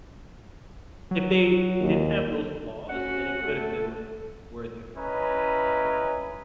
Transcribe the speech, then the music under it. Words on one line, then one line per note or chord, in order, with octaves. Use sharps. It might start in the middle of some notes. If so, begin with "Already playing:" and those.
if they didn't have those flaws, then it could've been, like, worthy of those movie of those awards.
F#3
D#2
C#4 F#4 F#5
A3 A4
C#4 E4 B4 D#5 A#5